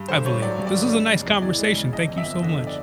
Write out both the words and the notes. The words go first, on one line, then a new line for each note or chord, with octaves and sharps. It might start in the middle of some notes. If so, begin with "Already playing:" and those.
I believe it. This is a nice conversation, thank you so much.
Already playing: G2
D3 C5
G2 C#5
F#3 D5
G2
D5
D3
G#3
C#3
E2
E3 D5
G#3
C#3
G1 D#5
F2
E5
G1
D3 D#5
D5